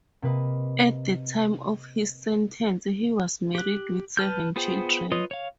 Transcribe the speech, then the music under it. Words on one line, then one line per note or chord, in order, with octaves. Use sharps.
At the time of his sentence he was married with seven children.
C3 A#3 B4 D#5
G4 F#6
B4 A5 F6 G6
B3 F4 G#4 C5 G5
F4 B4 C#5 D#5 D#6
C#5 F5